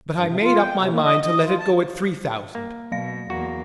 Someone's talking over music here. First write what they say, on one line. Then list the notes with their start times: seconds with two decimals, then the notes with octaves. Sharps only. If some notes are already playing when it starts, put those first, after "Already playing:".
But I made up my mind to let it go at three thousand.
0.15 G2
0.27 C3
0.42 F4
0.59 G5
0.77 C3
0.90 A#3
1.03 D#5
1.23 D#5
1.45 F4
1.59 A5
2.55 A#3
2.92 B2 F#3 F5 A#6
3.30 E2 A#3 F#4